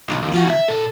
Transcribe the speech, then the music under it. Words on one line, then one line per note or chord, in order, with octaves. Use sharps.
Eh, yeah.
B1
D#2
F4 F#4
E5
A#2 A4